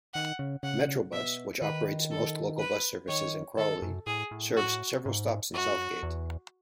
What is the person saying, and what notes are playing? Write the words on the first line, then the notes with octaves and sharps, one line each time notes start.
Metrobus, which operates most local bus services in Crawley, serves several stops in Southgate.
D#3 F#5
C#3
C#3 F#5
B2 E5
D#3 B4
A4
B4
D#3 C#5
D#3 A4
F#2
A2 G#4
A2
F#4
G#2
F#2 F#4
E2